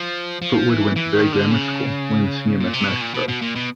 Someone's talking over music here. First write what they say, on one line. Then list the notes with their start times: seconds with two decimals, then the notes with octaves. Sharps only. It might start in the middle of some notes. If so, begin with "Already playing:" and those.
Foote Wood went to Bury Grammar School, winning the Senior Mathematics prize.
Already playing: F3
0.42 F3
0.69 E3
0.96 E3
1.15 D#3
1.33 D3
1.51 C#3
2.60 A#2
2.74 C3
2.87 B2
3.01 A#2
3.14 B2
3.28 B2
3.42 A#2
3.56 B2